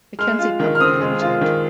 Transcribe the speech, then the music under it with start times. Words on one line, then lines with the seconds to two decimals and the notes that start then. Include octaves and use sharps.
McKenzie Company, Limited.
0.19 G#3 F6
0.39 F4
0.60 D#3
0.75 F6
0.80 C4 D#6
1.01 G#3
1.21 F4
1.41 D#3